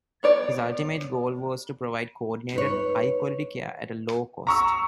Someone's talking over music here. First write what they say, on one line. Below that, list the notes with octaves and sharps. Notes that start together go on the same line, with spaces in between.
His ultimate goal was to provide coordinated, high quality care at a low cost.
B3 C#5 D5
D#4 B4 C#5
A#5 C#6 E6